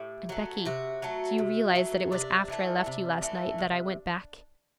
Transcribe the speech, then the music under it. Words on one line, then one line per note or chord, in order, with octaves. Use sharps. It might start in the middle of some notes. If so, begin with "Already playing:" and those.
'And Becky, do you realize that it was after I left you last night that I went back?
Already playing: A2 G4
F#3 A3
C3 F#4
F#3 A3
C3
F#3 A3
C3 D4
E3 A3
C3
E3 A3
C3